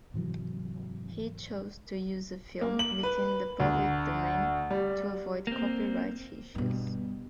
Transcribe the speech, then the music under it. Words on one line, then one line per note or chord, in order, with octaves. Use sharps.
He chose to use a film within the public domain to avoid copyright issues.
G#2 C3 E3 F#3
A#3
F#7
B4
D2
G3
A#3 C4
G2 B2